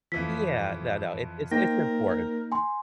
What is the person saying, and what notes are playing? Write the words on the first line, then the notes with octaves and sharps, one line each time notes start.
Yeah, no, no, it's it's it's important.
F2 E3 F3 B6
A#3 D#4 A#4 C5 G5 A#6
G#5 C6